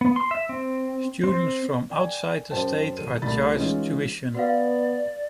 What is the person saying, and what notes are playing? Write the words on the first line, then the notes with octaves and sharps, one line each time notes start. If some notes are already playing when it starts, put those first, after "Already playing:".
Students from outside the state are charged tuition.
B3
C6
E5
C4
C4
D5 G5 G#5
F#2 C5 G5 A5
D#1 A4 D#7
C2 A3 B5 A6
E3 G#3 C#4 D#4 F4
B3 F#4 B4 D5 F5